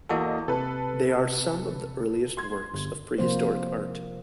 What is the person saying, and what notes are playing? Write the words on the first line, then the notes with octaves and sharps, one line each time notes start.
They are some of the earliest works of prehistoric art.
E2 A#3 F#4 A4 D#5
C3 A4 B4
C6 G#6
G1
C3 F3 A#3 C5